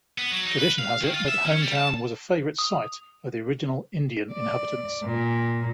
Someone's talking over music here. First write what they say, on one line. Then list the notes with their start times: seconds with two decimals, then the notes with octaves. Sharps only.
Tradition has it that Hometown was a favorite site of the original Indian inhabitants.
0.18 B3
0.31 F#3
0.45 D#4
0.58 B4
0.79 F5
1.00 D#3
1.14 F4
1.28 E5
1.46 C#4
1.62 G3
1.76 A5
2.59 D#6
4.32 D5
5.04 A#2